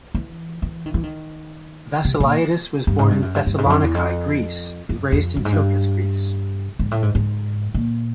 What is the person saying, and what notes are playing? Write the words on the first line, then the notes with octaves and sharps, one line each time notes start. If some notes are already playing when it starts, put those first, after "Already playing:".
Vasileiadis was born in Thessaloniki, Greece, and raised in Kilkis, Greece.
E3
E3
D#3
E3
D#3
C3
A#2
G2
G#2
G2
F#2
G2
G2
G#2
F2
F#2
E2
F2
F#2
F2
G2
G#2
G2
G#2
A2
G#2
G#2
A#2